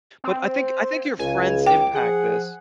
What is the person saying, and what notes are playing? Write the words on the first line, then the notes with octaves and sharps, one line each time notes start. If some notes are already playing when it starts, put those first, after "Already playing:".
But, I think I think your friends impact this.
C4
C#2 C#3 G#5
G5 D6
F3 G#4 F#5